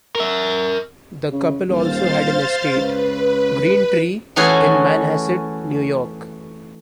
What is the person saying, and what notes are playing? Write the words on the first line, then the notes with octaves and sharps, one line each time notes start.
The couple also had an estate, Greentree, in Manhasset, New York.
A#4 E5
C#3
D#1 C5 F5 A6
C#2 B4
E3 A3 C#4 F#4 G#4 B4